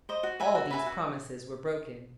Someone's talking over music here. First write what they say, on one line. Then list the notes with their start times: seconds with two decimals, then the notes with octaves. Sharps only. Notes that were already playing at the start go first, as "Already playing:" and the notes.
All these promises were broken.
0.09 C5 D#5
0.23 F#4
0.40 B4 E5 G#5
0.55 F#4
0.71 B4 E5 G#5
0.86 F#4